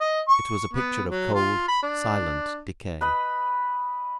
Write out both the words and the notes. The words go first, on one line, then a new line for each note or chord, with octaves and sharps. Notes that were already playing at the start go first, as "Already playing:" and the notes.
It was a picture of cold, silent decay.
D#5
C#6
B3
F#3
F4
B5
D4
B4 D#5 B5